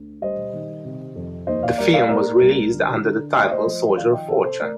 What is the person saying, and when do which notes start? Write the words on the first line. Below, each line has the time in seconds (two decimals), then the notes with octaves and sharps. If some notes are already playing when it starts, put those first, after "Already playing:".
The film was released under the title "Soldier of Fortune".
Already playing: D2
0.22 G3 C5 D#5
0.53 D#3
0.85 C3
1.16 F2
1.47 D#2 C5 D#5
1.63 D5 F5
1.78 G3 A#4 D5
1.94 D5 F5
2.09 A#2 A#4 D5
2.41 C2
2.72 D3
3.04 D3
3.35 A3 D#5
3.43 D5
3.51 C5 D#5
3.66 F3
3.97 D#3 D5 F5
4.13 D#5 G5
4.28 C3 A4 C5
4.44 A4 C5
4.60 A3 A#4 D5